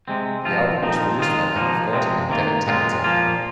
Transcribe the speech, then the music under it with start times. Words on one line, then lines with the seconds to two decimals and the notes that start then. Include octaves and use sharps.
The album was produced by Lamb of God and Devin Townsend.
0.08 C3 G#3 C4
0.45 F3 C4 F4
0.82 A#2 F3 C4 D#4
1.19 D#3 G#3 F4
1.56 F3 A#3 D#4
1.93 C3 F3 G#3 C4
2.30 D#3 A#3 F4
2.67 A#2 G#3 C4 F4
3.04 A#2 F3 A#3 F4